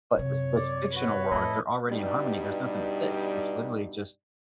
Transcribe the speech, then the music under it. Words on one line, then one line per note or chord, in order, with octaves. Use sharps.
but this this fictional world, if they're already in harmony, there's nothing to fix. It's literally just
F#2 C3 C#5
D5
F#4 B4 C#5
F2 A2 E4 A4 D#5
G2 B2 G3 D#4 D5